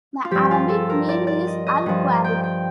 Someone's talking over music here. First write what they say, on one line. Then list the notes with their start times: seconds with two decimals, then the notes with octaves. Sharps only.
The Arabic name is Al-Quwarib.
0.25 F4
0.31 G2 F3 G4
0.51 F4
0.69 A4
0.90 A#4
1.09 D5
1.27 D5
1.47 D#5
1.67 D#5
1.86 G2 F3
2.24 G5
2.43 G5